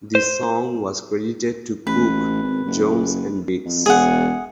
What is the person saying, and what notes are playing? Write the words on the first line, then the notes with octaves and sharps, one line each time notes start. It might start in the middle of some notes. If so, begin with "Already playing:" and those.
The song was credited to Cook, Jones and Biggs.
C5
A1 B4
G#1
F#1
F2
E1 G#4 F#5